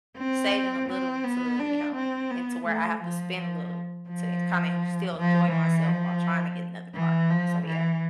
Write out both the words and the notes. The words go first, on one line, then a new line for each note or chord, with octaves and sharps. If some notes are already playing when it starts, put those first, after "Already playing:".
saving a little to, you know into where I have to spend a little to en kinda en still enjoy myself while trying to get another car. So, yeah.
C4
C4
B3
D4
C4
B3
A3
F3
F3
F3
F3
E3
F3
E3
F3
E3